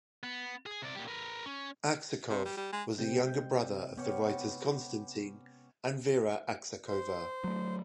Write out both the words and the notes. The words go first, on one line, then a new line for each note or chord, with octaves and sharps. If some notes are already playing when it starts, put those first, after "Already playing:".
Aksakov was a younger brother of the writers Konstatin and Vera Aksakova.
B3
G#4
C3 D5
A#2 G4
A#4 B4
C#4
C3
G3
G3
G#3
C3 G#3 C4 G5
B3 C#4 G4 C#6
C5
F#3 A3